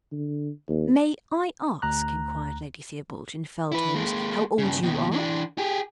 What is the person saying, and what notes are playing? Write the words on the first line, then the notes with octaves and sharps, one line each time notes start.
"May I ask," inquired Lady Theobald, in fell tones, "how old you are?"
D3
D#2
D2 A#5 F#6
E4 B4
G#3 A#3
G2 C#3
D#2 B2
E3 D4
G4 G#4